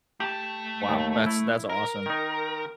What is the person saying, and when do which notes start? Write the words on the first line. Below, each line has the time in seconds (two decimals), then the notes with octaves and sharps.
Wow. That's that's awesome.
0.20 A3 G4 A5
0.89 D#2
1.26 E4
1.69 A#4
2.06 D#3 D#4